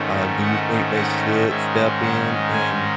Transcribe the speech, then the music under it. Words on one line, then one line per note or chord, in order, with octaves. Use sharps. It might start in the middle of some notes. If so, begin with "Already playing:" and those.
Um, do you think they should step in and
Already playing: G#2 D#3 A3 C#4
F#5
F#5
G#2 D#3 G#3 C#4 E5
F#5
G#5